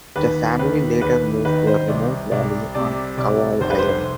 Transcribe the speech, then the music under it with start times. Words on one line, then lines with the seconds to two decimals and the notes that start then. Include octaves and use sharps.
The family later moved to a remote valley on Kauai island.
0.16 D#2 B4
0.59 D#2 B4
1.01 D#2 B4
1.45 D#3 B4
1.67 C5
1.88 C2 D5
2.31 C2 D5
2.75 C3 D5
3.17 C2 D5
3.61 F1 C5
3.70 B4
3.79 C5